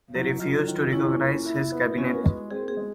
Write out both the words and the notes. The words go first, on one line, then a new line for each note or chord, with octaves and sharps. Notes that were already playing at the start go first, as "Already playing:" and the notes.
They refused to recognize his cabinet.
F#3 E4
F#3 F4
F#4
D#3
F4
C#4 E4
A#3
E4
B3
C#4 F#4
G#3
C4 G#4
G#4
G#3